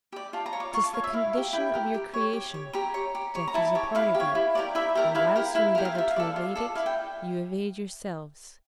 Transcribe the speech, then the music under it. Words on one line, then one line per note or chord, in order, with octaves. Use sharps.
'Tis the condition of your creation; death is a part of you, and whilst you endeavour to evade it, you evade yourselves.
G4 D5
F4 A5
A#5
C#5
D6
F4 C#6
A5
C#5 F5
E5
E4 F5
A#4
G4
E4 G5
G4 A#4
G4
C#5
G4
C#5
G4 A#5
C#5
G4
C#5
A#5
E4 A5
G4 C#5
E4 F5
G4
C#5
E4
G4 A#4 D5
E4 E5
G4 A#4 D5
E4 F5
G4 A#4
E4 F5
G4 A#4
F5
F4 E5
F5
A4 D5
F4
A4 D5
E4 F5
G5